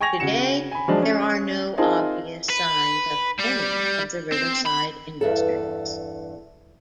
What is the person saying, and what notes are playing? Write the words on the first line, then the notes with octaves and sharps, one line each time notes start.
Today there are no obvious signs of any of the riverside industries.
G5 G#5 C#6 G#6 A#6 F7
C#3 F#4 C#7 E7
G#5 B5
F3 F#3 G#3 D4
C#4
C4 D#4 F4 G#4 A#4 A5
B4
G3
C4
B5
E2 G2 A4